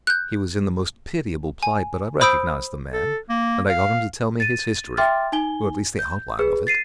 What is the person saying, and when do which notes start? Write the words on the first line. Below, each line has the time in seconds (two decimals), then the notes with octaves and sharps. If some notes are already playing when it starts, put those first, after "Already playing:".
He was in the most pitiable plight, but I recognized the man, and I got him to tell me his history, or at least the outline of it.
0.07 F#6 G6
1.63 G#5
2.21 C5 B5 D#6 E6 G6 D7
2.93 A4
3.29 A#3
3.69 F5
4.40 A6 D#7
4.97 E5 G5 C6 D6 F6 A6
5.32 D#4 G#5 G7
5.99 G6
6.39 G#4 B4
6.67 A6 C7 D#7